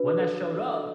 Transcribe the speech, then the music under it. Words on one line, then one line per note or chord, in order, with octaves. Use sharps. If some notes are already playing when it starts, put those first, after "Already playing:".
when that showed up,
Already playing: D4 F#4 B4
A4